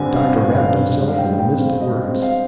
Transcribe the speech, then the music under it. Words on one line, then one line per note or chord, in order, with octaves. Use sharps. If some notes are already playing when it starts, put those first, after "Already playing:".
The doctor wrapped himself in a mist of words.
Already playing: G2 D3 C4 G#5
C4 F5
G2
F5
G2
G#3
F5
G5
G#3
G5
C4
F5
G#3 D#5
C4
F5